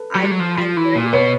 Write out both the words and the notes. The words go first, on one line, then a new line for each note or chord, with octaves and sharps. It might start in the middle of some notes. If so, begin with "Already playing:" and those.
I'm I'm very
Already playing: A4 B4
F#3
G3
F#3
F3
F3
E3
A#2
B2 B4 C#5